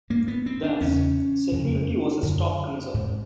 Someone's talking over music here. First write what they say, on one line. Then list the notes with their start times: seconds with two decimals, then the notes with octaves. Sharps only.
Thus, security was his top concern.
0.10 G#2 A#3
0.28 B3
0.46 C4
0.63 D4
0.81 E2 C#3 C#4
1.52 F2 C#3
2.23 F#2 D3
2.94 G#2